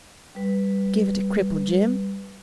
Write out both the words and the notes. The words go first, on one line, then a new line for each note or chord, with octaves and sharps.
"Give it to cripple Jim."
G3 B4